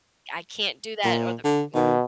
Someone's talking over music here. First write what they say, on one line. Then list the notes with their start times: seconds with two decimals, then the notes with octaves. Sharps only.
I I can't do that, or the mhm.
1.05 A#2
1.44 D3
1.75 B2 D#3